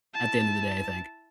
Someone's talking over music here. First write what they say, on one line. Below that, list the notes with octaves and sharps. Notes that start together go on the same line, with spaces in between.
at the end of the day, I think.
E4 A5